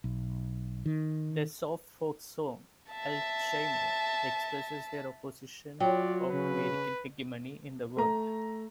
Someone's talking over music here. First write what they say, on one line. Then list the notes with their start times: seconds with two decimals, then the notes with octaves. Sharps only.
Their soft folk song, "Alzheimer" expresses their opposition of American hegemony in the world.
0.04 B1
0.86 D#3
2.91 E5 A5
5.80 F#3 F4 C#5 D5 G5
6.31 C#3 B4
7.97 A3 A#5